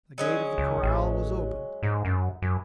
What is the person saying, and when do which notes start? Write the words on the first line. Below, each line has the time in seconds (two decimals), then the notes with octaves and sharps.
The gate of the corral was opened.
0.18 F#3 G#3 C#4
0.58 C#2
0.83 A1
1.83 G#2
2.05 F#2
2.42 F#2